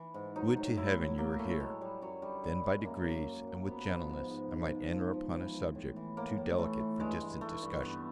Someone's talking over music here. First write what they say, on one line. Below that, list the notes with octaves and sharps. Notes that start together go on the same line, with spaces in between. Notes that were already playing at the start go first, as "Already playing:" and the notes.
Would to Heaven you were here!-then, by degrees, and with gentleness, I might enter upon a subject too delicate for distant discussion.
Already playing: E3
G#2
F#3 D#4
A2
F#3 E4
A2
A2 A#3
A2 A3
F#3 G#3
F#3 G3
F#2 F#3
D3 G3
F#2 G3
F#2 G#3
F#2 A#3
F#2
F#2
F#3
F3 B3
F3
G#2
G#2
G#2
G#2
F3
F3
E3
E3
A2
E3
A2 A#3
A2
E3 A3
E3
G2 G#3
E3
E3 A3
G2
G2 B3